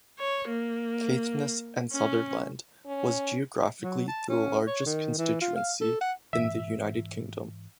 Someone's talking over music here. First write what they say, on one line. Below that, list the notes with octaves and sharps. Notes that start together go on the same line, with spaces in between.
Caithness and Sutherland was geographically the largest constituency in the United Kingdom.
C#5
A#3
C#4
C#4
F#3
A5
C#4
C#5
D#3
E3
F4
F5
A4
F#5
G#2 E3 E5